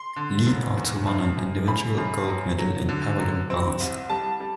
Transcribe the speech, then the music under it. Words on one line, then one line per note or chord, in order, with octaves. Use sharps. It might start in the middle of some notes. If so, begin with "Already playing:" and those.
Li also won an individual gold medal in parallel bars.
Already playing: C6
D3
E1
E2
F#2
F#2
F#2 B5
F#2
F#3
F#3
D3
F#3
C4
C2
G3 A5
G3